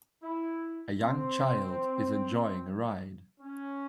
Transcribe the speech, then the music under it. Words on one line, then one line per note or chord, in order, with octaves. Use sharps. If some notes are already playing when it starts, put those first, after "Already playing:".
A young child is enjoying a ride.
E4
C4
C#4